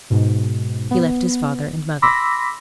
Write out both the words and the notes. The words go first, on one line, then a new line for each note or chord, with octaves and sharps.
He left his father and mother.
G#2 B2
B3
B5 C6 D6 E6 A#6 B6